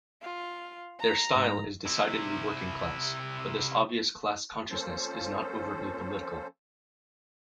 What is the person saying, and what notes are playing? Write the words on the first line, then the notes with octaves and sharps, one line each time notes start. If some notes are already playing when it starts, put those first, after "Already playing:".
Their style is decidedly working-class, but this obvious class-consciousness is not overtly political.
F4
A#5
G#2
C3 E4
F3 A#3 C4 C#4 A4 C5